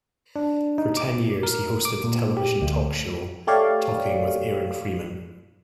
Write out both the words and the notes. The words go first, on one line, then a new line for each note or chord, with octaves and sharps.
For ten years, he hosted the television talk show "Talking with Aaron Freeman".
D4
D#4
D6
A#4
D6
A#2
G4
D2
A3 G4 C#5 D5 F5